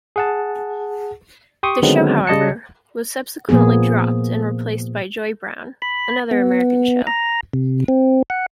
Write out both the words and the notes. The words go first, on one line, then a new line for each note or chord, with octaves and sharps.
The show, however, was subsequently dropped and replaced by Joy Browne, another American show.
G#4 F#5 A5
G4 G5 C6 C#6 D#6
D3 D#3 F#3 G#3 B3 C4
C#3 G3 D#5 A5 C#7
A#2 F3 A#3 B3 G#4
B5
B3
A#5
C3
C4
F#5